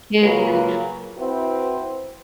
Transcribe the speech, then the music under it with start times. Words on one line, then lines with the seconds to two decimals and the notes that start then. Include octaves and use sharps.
kids and
0.22 C#3 F#3 A#3 F4 B4
1.18 C4 E4 F#4 B4 C5